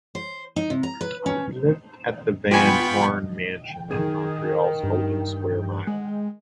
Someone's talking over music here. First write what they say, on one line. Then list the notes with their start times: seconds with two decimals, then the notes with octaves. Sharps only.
He lived at the Van Horne Mansion in Montreal's Golden Square Mile.
0.15 C5
0.56 D#4
0.70 C3
0.83 A#5
1.01 B4
1.26 C#4
2.51 B3 F4 G4 G5 G#5 B5 C#6
3.91 D#3 G#4
4.83 G2
5.87 G#3